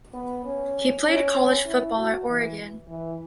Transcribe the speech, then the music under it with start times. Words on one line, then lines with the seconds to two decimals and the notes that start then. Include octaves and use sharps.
He played college football at Oregon.
0.14 B3
0.45 C#4
1.05 C#4
1.66 E4
1.96 F#4
2.27 E3
2.87 E3